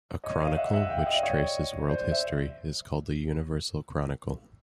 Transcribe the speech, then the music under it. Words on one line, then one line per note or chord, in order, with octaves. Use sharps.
A chronicle which traces world history is called a universal chronicle.
C#5 D#5
D#5 F5
E5 F#5
E5 F#5
F5 G5
E5 F#5
D#5 F5
D5 E5
C#5 D#5
C5 D5
E5